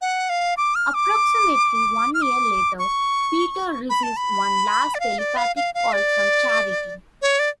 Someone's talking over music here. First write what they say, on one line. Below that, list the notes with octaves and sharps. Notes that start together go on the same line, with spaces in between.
Approximately one year later, Peter receives one last telepathic call from Charity.
F#5
F5
D6
F6
D6
F6
D6
C#6
B5
A5
B5
D5
F5
D5
F5
F5
F5
D5
C#5
D5